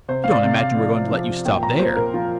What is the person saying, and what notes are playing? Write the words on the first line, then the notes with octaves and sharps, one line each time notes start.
"You don't imagine we're going to let you stop there?"
C3 C5
F5
D5
C3
F5
F3
F3
A#2 G5
A#5
A#2 C5
A#4
F3 F4